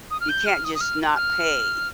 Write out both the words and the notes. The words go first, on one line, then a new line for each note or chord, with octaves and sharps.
You can't just not pay,
D#6
F6
G6
F6
D#6
D#6
F6
F6